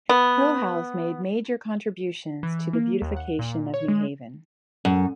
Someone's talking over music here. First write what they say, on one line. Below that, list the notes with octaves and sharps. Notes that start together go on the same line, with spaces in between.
Hillhouse made major contributions to the beautification of New Haven.
B3
E3
A#3
D#2
F#5
A#2
C#5
G#3
F#2